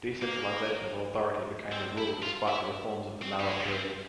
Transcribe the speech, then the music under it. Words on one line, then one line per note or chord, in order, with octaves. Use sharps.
Decentralization of authority became the rule despite the reforms of the Nara period.
A#3
C4
E4
F4
E4
C4
G3
G#3
C4